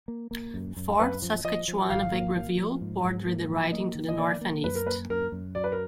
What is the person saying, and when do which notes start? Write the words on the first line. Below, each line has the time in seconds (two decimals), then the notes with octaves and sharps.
Fort Saskatchewan-Vegreville bordered the riding to the north and east.
0.08 A#3
0.31 A#3
0.54 F#2
0.77 F#2
0.99 F#2 B4
1.22 F3
1.44 F3 D#5
1.68 F3
1.90 G#1 F5
2.13 A#3
2.36 A#3
2.58 F3
2.81 G#2
3.05 G#2
3.27 A#3
3.50 F3
3.72 A#3 D#5
3.95 D#3
4.09 D#5
4.18 A#3 D5
4.41 A#3
4.64 F#2 B4
4.75 A#4
4.86 A#3 B4
5.10 F#2 A#4
5.32 F#2
5.55 F#3 D5
5.64 B4
5.72 A#4